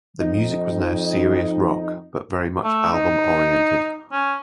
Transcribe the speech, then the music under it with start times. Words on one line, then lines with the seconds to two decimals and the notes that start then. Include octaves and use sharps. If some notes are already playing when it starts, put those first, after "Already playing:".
The music was now serious rock but very much album oriented.
0.20 F2 D#4
2.64 A3
2.93 D#4
4.12 C#4